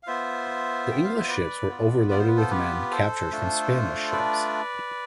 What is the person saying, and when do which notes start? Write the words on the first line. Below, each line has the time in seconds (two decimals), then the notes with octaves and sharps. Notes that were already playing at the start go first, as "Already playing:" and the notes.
The English ships were overloaded with men captured from Spanish ships.
0.03 F5
0.07 B3 F4 C5 E5
0.91 G5
1.04 F5
1.17 E5
1.28 B4 D5
1.69 B3 F4
2.10 D5
2.19 C5
2.28 B4
2.37 A4 C5
2.51 G4 B4
2.91 A4 C5
3.32 A3 D4 F4
4.12 B4 D5